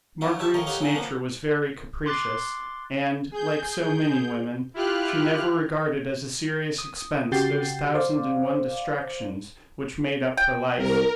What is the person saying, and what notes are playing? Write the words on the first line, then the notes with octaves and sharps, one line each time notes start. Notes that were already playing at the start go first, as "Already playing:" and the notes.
Marguerite's nature was very capricious, and, like so many women, she never regarded as a serious expense those thousand and one distractions which made up her life.
F#3 B3 F4 F#4
E4 G4 A5 C#6
D2 D#3 F3 A#4 C#5 D#5
D#4 F#4 G4 C#5 D#5 F5
C#3 F#3 C#4 D#4
F3 A#3 B3
C6 D6 F#6 A6 C7
G#4 G6
E4 F4 G4 F6 F#6
D#6
C#3 F#4 G4 G6 A6 C7
C5 D5 F5
G5
C2 A#4